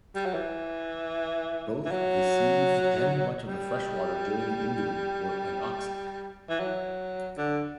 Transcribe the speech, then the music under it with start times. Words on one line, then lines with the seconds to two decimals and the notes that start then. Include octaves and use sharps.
Both the seas and much of the freshwater during the Induan were anoxic.
0.15 G3
0.26 F#3
0.34 E3
1.85 E3
1.91 F#3
3.47 G3
6.49 E3
6.60 F#3
7.37 D3